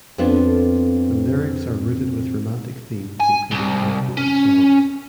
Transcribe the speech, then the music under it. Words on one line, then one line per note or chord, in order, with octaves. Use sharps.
The lyrics are rooted with romantic themes including heartbroken songs.
F2 B3 C4 D4 F4 A4
G#5
C2
C#4